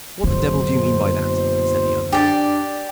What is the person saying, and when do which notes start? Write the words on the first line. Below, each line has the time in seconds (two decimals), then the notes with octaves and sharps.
"What the devil do you mean by that?" said the other.
0.24 F#1 F#2 B2 D3 C5
2.12 D4 G4 D5